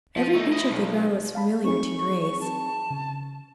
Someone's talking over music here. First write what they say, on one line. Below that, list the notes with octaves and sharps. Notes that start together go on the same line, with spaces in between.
Every inch of the ground was familiar to Grace.
F3
A3 D#4
E4 D#5
B1
F5 A5 B5
C4 D#4 G#4 C#6
A5
C#3